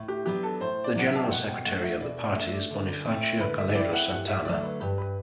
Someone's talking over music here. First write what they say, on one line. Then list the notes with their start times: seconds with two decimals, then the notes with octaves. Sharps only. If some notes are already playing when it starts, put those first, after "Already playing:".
The general secretary of the party is Bonifacio Calero Santana.
Already playing: A2
0.08 G4
0.26 F#3 B3 D4 G4
0.43 A4
0.61 A2 C5
0.84 D5
0.95 F#3 B3 D4 F#5
1.07 E5
1.15 A5
1.23 G5
1.31 B2 F#5
1.48 G5
1.65 A3 D4 F#5
1.84 E5
2.00 B2 D5
2.19 D5
2.36 A3 D4 E5
2.53 D5
2.71 D3
3.05 A3 C4 E4
3.40 D3 B4
3.58 E5
3.75 A3 C4 E4 D5
3.93 F#5
4.10 G2 F#5
4.28 E5
4.45 D3 F#3 A3 D5
4.63 B4
4.80 G2 B4
4.98 B4